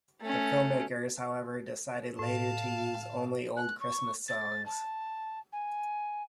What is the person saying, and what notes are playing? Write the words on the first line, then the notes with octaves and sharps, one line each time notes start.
The filmmakers however decided later to use only old Christmas songs.
A3 C#4
A2 F5 A5
F#6
C#6
A6
A5
G#5